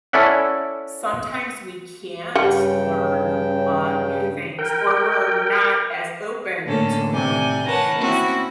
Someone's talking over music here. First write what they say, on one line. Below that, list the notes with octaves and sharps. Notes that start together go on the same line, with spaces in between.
sometimes we can't learn, uh, new things or we're not as open to learning new things,
C#4 E4 A4 D5 E5 F#5
G2 C#3 G3 C#4 F#5 G5
A#4 G5
A2 D3 A#3 C#4 A4
A2 C3 D5 G#5 G6
A#4 B4 C#5 F#5 A5
A#3 C4 C#4 E4 F#4